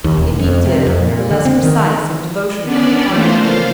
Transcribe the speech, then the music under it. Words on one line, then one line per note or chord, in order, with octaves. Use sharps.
If he did, the less precise and devotional may pardon him.
D#2
E1
F2
C3
F2
A#2
D3
C4
D#3
B3 C#4 D4 D5
E3 F3 A3 A#3 F4 C5
F5